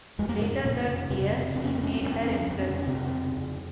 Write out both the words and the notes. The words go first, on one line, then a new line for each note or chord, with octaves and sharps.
Later that year, he made her empress.
F2 G#3
A#3
G#2 C#3 G#3
F2 A#2 A#3
C#3
F2 C3 C4
C#3
F2 C4
C#4
C4
C#3
C#4
C4
F2 C#4
C4
C#3 C#4
C4
C#4
F2 C4
C#4
C#3 C4
C#4
F2 C3 C4
C#3
F2